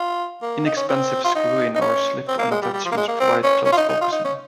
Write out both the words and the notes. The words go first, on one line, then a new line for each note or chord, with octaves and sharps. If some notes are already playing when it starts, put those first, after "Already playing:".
Inexpensive screw-in or slip-on attachments provide close focusing.
Already playing: F4
A#3
D#4
C#4
C4
F4
D#4
D#4
C#4
C4
A#3
G#3
G3
G3
F3
A#3
G#3
A#3
C4
C#4
C#4
F4
D#4
D#4
F4
D#4
C#4